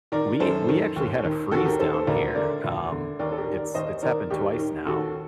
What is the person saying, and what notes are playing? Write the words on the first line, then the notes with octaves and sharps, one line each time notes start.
we we actually had a freeze down here. Um, it's it's happened twice now,
D#3 A#4 D5
F#2 A4 C5
D#3
D#2
D#3
D#2 F#4 A4
G4 A#4
D#3 A4 C5
A4 C5
D2 A#4 D5
D3 A#4 D5
D2
D3
D#2 A#4 D5
A4
G4 A#4
D#3
A#4 D5
D#2 C5 D#5
D#3 A#4 D5
D#2 D#4 G4
D#3
D#2 F#4 A4